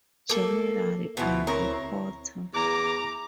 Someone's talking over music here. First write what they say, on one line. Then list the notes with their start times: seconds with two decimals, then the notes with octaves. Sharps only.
General Andrew Porter.
0.30 A#3 A4
1.17 D2 B2 F3 E4
1.47 C4 A#4 C#5
2.54 E2 A#5 D6